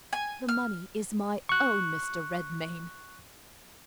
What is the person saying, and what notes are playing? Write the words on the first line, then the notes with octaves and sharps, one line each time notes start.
"The money is my own, Mr. Redmain."
G#5
F6
C#6 F#6